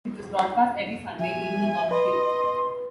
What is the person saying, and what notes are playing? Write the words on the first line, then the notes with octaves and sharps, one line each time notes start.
It was broadcast every Sunday evening on Q.
F3 E5 G#5
B4 D#5 C6